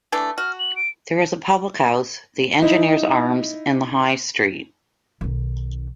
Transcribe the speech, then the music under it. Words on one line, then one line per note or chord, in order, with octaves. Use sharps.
There is a public house, The Engineer's Arms in the high street.
E3 A3 D4
F#4 F6
F#7
D7
D#4 E4
B1 D#3